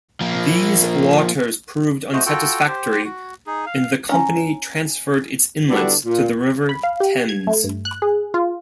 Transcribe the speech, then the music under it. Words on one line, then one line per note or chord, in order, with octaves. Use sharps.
These waters proved unsatisfactory and the company transferred its inlets to the River Thames.
F3 A#3
A3 F#4 C5 D#5
F4 F#4 A4 G5
G4 C5
F#4
D#4 G#4
F5
C#4 A#5
D3 G3 B3 D4 E4 F#4
A#2
B5
F5
G4
G#6
A3
G2
F#6
G#4
F4